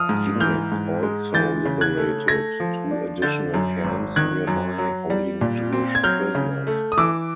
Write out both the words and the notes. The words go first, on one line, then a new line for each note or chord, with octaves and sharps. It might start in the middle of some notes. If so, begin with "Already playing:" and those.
Units also liberated two additional camps nearby holding Jewish prisoners.
Already playing: F3 D#6 F6
G#2
E3 F6 G6
G#2
G#3
E3 G6 A6
C#3
F#6 G#6
A3
A3 G#6 A#6
F3
D4
D3 G6 A6
F#2
G#1
D#3 F#6 G#6
F#2
F#3
G3
A#2
C4
G#6
F#3 F6 G6
C#3
A3
D#6
E3 D6 E6